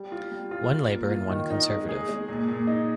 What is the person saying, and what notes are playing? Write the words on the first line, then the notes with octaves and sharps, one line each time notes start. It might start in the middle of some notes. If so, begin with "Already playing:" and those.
One Labour and one Conservative.
Already playing: G3
F4
G3
F4
F4
A#3
F4
D#3
D#4
G#3
G#4
G#3
A#2
A#2
D#4